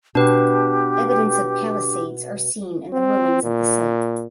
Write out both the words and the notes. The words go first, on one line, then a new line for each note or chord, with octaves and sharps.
Evidence of palisades are seen in the ruins of the site.
B2 D4 G4 B4
C4
A#2